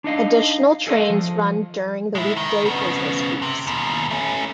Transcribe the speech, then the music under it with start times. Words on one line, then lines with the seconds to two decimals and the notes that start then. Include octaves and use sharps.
Additional trains run during the weekday business peaks.
0.04 D4 D#4 D#5 F5
0.87 G#4 A4 C5 D#5 F5
1.10 F3
2.15 G#3 E4
2.37 D#3
2.66 C#3 B3
3.42 C3
3.67 D#2 B2
4.11 A3 C#4